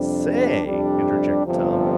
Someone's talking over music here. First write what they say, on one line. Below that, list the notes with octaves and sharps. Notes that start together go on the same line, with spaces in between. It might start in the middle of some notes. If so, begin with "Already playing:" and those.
"Say," interjected Tom.
Already playing: F2 C3 G3 D4
F2 C3 G3 D4 G4
G1 F2 C3 F3